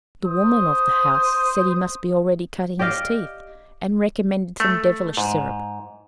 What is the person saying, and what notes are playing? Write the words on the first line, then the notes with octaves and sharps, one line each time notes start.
The woman of the house said he must be already cutting his teeth, and recommended some devilish sirup.
C5 D#6
G4 D5 D#5 F5
A3
G#2